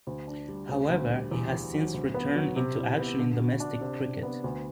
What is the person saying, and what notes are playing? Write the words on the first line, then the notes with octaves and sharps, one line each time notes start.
However he has since return in action in domestic cricket.
D2
D4
G3
D2
D2
G3
E2
E2
F#3
D2
B3
F#3
C3
E4
B3
D3
F#4
D4
C3
C3
B3
D2